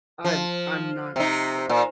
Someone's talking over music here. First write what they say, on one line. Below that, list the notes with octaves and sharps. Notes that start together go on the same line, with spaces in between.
I'm I'm not sure.
F3
C3 D#4
A#2